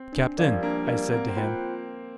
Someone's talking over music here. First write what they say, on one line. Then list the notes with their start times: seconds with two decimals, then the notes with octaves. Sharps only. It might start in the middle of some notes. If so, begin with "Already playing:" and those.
"Captain!" I said to him.
Already playing: C4
0.13 D4
0.38 F3 A#4 D5 F5
0.52 G3
0.63 A#3 D4
0.87 G3 A#4 D5 F5
1.11 A#3 C4
1.28 C4
1.37 F4 C5 G5